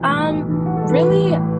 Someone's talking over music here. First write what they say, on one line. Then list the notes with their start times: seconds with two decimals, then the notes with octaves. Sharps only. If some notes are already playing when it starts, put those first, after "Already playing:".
Um, really?
Already playing: B1 E3
0.09 A2
0.29 B1
0.49 E3
0.66 B1 F#4
0.77 A4
0.89 E3 B4
1.09 A1
1.29 A2